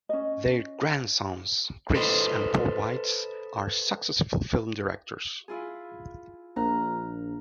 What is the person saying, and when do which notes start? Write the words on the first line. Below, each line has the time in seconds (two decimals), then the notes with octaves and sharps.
Their grandsons, Chris and Paul Weitz, are successful film directors.
0.09 C#4 D#5
1.94 A4 B4 C5 D#5
5.48 E4 F4 G#4
6.56 A#1 A#5 F6 F#6